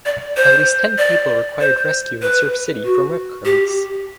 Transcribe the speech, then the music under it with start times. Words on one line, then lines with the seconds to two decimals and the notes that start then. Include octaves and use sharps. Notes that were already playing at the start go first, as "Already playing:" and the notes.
At least ten people required rescue in Surf City from rip currents.
0.05 D5
0.37 C5
0.98 D5
1.61 C5
2.22 B4
2.84 F#4
3.45 G4